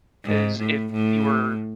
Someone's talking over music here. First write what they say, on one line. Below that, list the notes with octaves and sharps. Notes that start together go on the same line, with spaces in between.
'Cause if you were
G#2
A2
A2